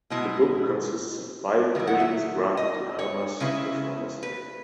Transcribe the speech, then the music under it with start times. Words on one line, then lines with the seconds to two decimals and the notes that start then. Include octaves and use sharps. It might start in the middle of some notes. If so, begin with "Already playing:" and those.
The book consists of five visions granted to Hermas, a former slave.
0.10 B2 G#3 B3 E4 D#5
1.75 D#3 F#3 E4
1.87 F#5
2.00 E5
2.57 D#5
2.99 C#5
3.40 C#3 G#3 C#4 E4
4.23 B4